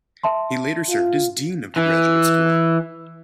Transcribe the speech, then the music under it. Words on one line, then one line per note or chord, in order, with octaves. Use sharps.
He later served as dean of the graduate school.
E5 A5 C6
F4
E3